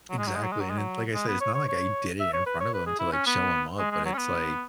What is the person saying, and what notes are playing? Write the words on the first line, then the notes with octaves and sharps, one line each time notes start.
Exactly. And it like I said, it's not like I did it in front of him to like show him up, but it's like,
F#3
G#3
F#3
G#3
F#3
G#3
F#3
G#3
F#3
G#3
B3
C#5
C#5
C#5
E5
C#5
B4
C#5
B4
G#4
E4
C#4
B3
G#3
G#3
F#3
C#4
B3